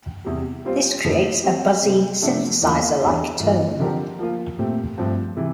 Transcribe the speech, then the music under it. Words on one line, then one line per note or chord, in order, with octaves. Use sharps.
This creates a buzzy synthesizer like tone.
E2 C3 G3
G3 C4 F4 C5
F2 D3 A3 E4 G4
G3 C4 G4
C3 G3 C4
C3 F3 A3 D4
E2 E3 A#3 F4
E2 E3 G3 D4 A4
G2 E3 A#3 F4
D3 F3 C4 G4 A#4
F3 A#3 F4
A#2 A3 C4 G4
G2 F3 A3 C4
C3 E3